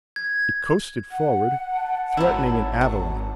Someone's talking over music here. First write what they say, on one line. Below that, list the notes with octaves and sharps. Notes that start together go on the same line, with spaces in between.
It coasted forward, threatening an avalanche.
G#6
F#5
A5
G#1 F#3 E4
F#3